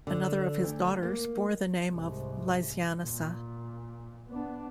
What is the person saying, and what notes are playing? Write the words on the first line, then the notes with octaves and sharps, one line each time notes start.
Another of his daughters bore the name of Lysianassa.
D3
D2
A#3
C2 G#2
A#2
B3 D4